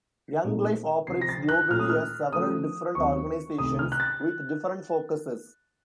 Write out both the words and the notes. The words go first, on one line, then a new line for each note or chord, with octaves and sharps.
Young Life operates globally as several different organizations with different focuses.
A#2 A3 C4 D#4
C3 F3 C4 C7
A#6
A6
F#6
A#2 A3 C#4 F4 F6
D#6
F6
C#3 F3 A3 D#6
D#2 D#3 F#3 C4 C#6
C2 C3 D#3 A3 D#6
F6
F#6
A6